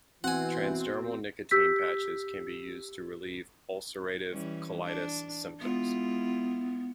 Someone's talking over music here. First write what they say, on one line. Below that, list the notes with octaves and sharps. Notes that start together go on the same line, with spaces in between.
Transdermal nicotine patches can be used to relieve ulcerative colitis symptoms.
B2 E3 C4 F#5 G#5
G4 E6 G6 B6
E3 G3 C#4
D4
G#3 B3 E4 F4